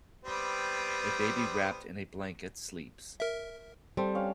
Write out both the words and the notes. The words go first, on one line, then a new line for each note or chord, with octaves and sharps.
A baby wrapped in a blanket sleeps.
G3 B3 C4
A#4 E5
G3 C4 A4
C#4 F5